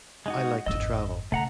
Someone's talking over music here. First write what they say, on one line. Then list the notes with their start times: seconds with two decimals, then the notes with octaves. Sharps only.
I like to travel.
0.26 G#3 D#4 F#4
0.66 G#1 F2 D#5 E6
1.32 C#3 A3 F#5 A#5